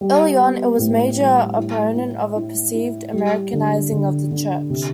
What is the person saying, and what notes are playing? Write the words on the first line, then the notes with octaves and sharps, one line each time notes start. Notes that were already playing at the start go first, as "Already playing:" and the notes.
Early on, it was a major opponent of a perceived "Americanizing" of the Church.
G3
B3
A2
G3
E4
E4
E4
E4
G3
D3
D3
D3
C3